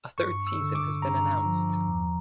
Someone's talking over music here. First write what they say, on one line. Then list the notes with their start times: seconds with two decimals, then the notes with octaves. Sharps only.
A third season has been announced.
0.18 G2 C#6
0.47 E6
0.61 D3
0.75 D6
1.02 G2 A#5
1.45 F3
1.87 E2